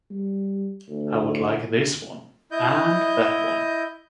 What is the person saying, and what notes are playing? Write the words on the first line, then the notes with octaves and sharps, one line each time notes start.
I would like this one and that one.
G3
D2
E4 D#5 G6